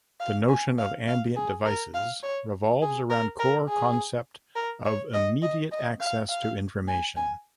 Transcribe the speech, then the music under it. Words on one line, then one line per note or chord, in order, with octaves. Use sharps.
The notion of ambient devices revolves around core concept of immediate access to information.
F5
G#5
F5
F5
G#4
A#4
F5
C#5
G#4
A#4
A#4
G#4
A#4
C#5
D#5
D#5
D#5
F5
F5
G#5
G#5